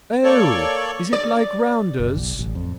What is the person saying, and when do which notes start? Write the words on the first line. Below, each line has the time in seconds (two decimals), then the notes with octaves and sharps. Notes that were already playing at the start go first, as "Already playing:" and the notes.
"Oh, is it like rounders?"
0.24 A#3 A4 C#5 D5 C#6
1.13 D5
2.00 F#1
2.17 B1
2.39 A1
2.55 F2